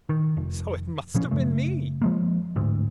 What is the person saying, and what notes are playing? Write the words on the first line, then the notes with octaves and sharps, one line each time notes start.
So it must have been me!
D#3
F1
B2 F3 C#4
F#2 C#3 A3
F3 G#3 A#3
D1 D2 G#2